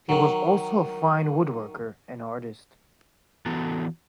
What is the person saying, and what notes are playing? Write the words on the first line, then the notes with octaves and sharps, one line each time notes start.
He was also a fine woodworker and artist.
D#3 F#3
E3 B3 F#4 A4 A5 A#5